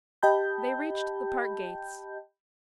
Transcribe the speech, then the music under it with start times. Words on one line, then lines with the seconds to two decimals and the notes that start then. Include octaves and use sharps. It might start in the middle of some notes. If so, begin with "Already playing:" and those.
They reached the park gates.
0.23 G4 D#5 G5 A5 B5 G6